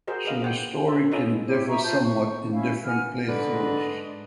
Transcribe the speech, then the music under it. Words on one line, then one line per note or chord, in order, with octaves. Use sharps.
So the story can differ somewhat in different playthroughs.
F#4 G#4 A#4 C5 D#5
G#4 B4 D#5 F5
C5 F#5 G5
E5
C#4 F4 A4 B4 D#5 A#5
E4 G4 C5 C#5
E5 A#5 C#6
F4 C5 A5 G6
C#6
C#4 E4 F5
F#5 G#5 F6
G#2 D3 D4 B4 D#5